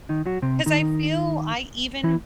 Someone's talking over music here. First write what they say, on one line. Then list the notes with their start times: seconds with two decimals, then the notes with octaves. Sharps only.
'cause I feel I even
0.09 D#3 D#4
0.26 F#3 F#4
0.42 C3 C4
0.66 D#3 D#4
2.03 E3 E4